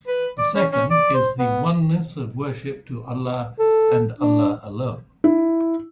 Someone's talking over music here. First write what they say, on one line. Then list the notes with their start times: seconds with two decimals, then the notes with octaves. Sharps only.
The second is the oneness of worship to Allah and Allah alone.
0.08 B4
0.38 D5
0.55 C#4
0.73 C#4
0.91 D5
1.14 C5
1.39 B3
3.59 A4
4.20 D4
5.24 E4